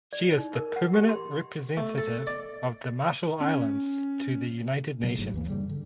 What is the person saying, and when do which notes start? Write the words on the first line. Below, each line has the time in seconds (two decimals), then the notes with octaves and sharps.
She is the Permanent Representative of the Marshall Islands to the United Nations.
0.13 D5
0.38 D#4
0.55 A#4
0.76 F#5
0.93 G4
1.09 C6
1.77 A3
1.98 A4
2.27 D5
3.40 C#4
5.03 C3 F#3 A#3
5.16 G1 G#2 D3 F#3
5.34 D#2 E3 A#3
5.48 G2 C#3 G3
5.69 D3